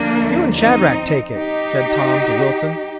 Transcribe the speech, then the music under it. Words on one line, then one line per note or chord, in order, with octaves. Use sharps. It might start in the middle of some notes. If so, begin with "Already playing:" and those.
"You and Shadrack take it," said Tom to Wilson.
Already playing: D#2 D3 F3 A#3 D4
C4 D#4
D#4 G4